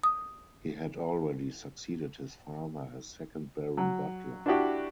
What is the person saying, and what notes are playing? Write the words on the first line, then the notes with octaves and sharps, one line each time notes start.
He had already succeeded his father as second Baron Butler.
D#6
F#3
D4 E4 F#4 G4